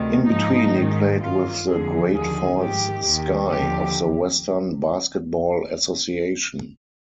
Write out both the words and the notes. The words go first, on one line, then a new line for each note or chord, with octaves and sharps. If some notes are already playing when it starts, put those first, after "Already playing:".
In between, he played with the Great Falls Sky of the Western Basketball Association.
Already playing: D2 C3 D#3
G#2 F3 D#4
G#2 D#3
G2 D#3 F4
F2 D3 F3 G#4
D#2 D3 F3 G#4
G#2 D#3 G4
D#2 D#3
D#2 D3 F3 G4